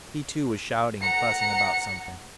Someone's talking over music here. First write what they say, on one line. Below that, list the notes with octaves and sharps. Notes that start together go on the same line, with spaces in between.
He, too, was shouting and fussing about something.
F#5 A#5 C#7